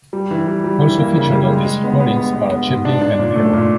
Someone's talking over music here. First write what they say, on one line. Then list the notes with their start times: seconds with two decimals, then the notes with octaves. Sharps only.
Also featured on these recordings are Chaplin and Hayward.
0.13 G3
0.31 E3
0.47 G3
0.64 G3
0.81 E3
0.98 A#3
1.16 C#3
1.32 G3
1.49 G#3
1.66 G#3
1.84 B3
2.00 B3
2.17 B3
2.34 B3
2.51 B3
2.67 G#2
2.85 D4
3.02 D4
3.19 A#2
3.36 A3
3.53 A#2